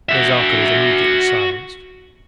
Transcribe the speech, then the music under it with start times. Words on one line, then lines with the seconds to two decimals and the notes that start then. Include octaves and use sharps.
Nazarka was immediately silenced.
0.09 F#4 E5